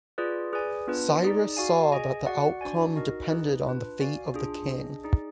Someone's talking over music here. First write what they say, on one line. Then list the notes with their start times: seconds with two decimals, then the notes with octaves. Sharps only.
Cyrus saw that the outcome depended on the fate of the king.
0.18 F4 G#4 B4 D5
0.53 G#4 B4 D5 G#5
0.87 B3 D4 F4 B4
1.22 D#4 G#4 D5
1.57 F#4 D5 F5 G#5
1.92 G#4 D#5 G#5
2.26 F#4 D5 F#5
2.61 D4 F#4 D5 G#5
2.95 D#4 F#4 A#4 D#5
3.31 D#4 G#4 B4 D#5
3.65 D4 F4 B4
4.00 F#4 D5 F5 G#5
4.34 D4 F4 G#4
4.69 D4 G#4 D#5
5.04 D#4 G#4 D5